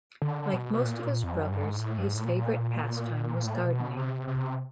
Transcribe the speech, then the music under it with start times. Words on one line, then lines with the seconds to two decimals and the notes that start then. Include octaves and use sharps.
Like most of his brothers, his favorite pastime was gardening.
0.22 D3
0.53 B2
0.73 B2
0.85 A#2
1.24 F2
1.37 F#2
1.51 G2
1.64 G#2
1.79 A2
1.98 G2
2.06 G#2
2.16 A2
2.25 A#2
3.45 A2
3.56 A#2
3.65 B2
3.97 C3
4.28 C3